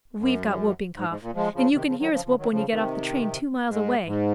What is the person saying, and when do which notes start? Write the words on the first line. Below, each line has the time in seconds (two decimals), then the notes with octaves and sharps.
We've got whooping cough, and you can hear us whoop when you get off the train two miles away.
0.19 F#2
0.96 G#2
1.09 G#2
1.22 A#2
1.35 F3 G#3
1.54 C#3 F3
1.73 C3 D#3
1.86 C#3 F3
1.99 D#3 F#3
2.12 C#3 F3
2.25 C#3 F3
2.38 D#3 F#3
2.51 C#3 F3
2.70 C3 D#3
3.68 G#2
4.06 G#2